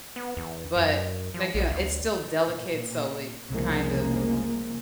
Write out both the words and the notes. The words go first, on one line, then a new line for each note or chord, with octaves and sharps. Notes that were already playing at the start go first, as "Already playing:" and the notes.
but like, you know, it's still delicate, so it kind of
B3
E2
F#2
F3
A#1
D2
A#2
F1 C2 C#3 F3 G#3 A#3